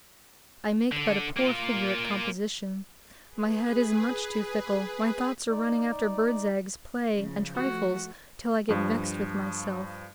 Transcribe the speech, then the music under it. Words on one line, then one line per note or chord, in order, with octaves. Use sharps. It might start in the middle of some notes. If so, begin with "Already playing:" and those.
I make but a poor figure at composition, my head is much too fickle, my thoughts are running after birds' eggs, play and trifles till I get vexed with myself.
D3
A#3 F4
G#4 B4
D#4 D5
C#3 F3
F3 A3 F#4
G2 F3